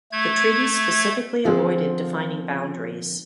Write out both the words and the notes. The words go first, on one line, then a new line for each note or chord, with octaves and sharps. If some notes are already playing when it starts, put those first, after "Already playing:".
The treaty specifically avoided defining boundaries.
A3 G#6
D3 F3 C4 F4 G#4